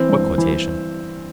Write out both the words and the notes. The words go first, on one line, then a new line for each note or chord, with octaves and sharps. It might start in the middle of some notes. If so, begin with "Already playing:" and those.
"What quotation?"
Already playing: E3 C4
G2
G2
E3
E3